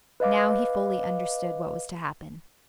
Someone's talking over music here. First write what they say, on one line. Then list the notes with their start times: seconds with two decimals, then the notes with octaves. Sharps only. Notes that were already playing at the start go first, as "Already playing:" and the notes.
Now he fully understood what was to happen.
0.20 B4 D#5 F5 D6